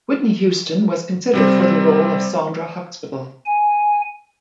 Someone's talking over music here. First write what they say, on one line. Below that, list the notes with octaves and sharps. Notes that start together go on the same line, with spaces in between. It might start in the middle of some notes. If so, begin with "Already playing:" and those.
Whitney Houston was considered for the role of Sondra Huxtable.
C3 G3 C4
G#5